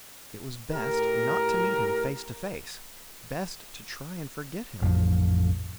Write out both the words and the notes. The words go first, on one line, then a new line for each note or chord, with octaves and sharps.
It was best not to meet him face to face! Best to try and forget him!
A2 G4 A#4
A1 F2 F3